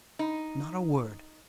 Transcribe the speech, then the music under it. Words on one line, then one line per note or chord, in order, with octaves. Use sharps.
Not a word.
D#4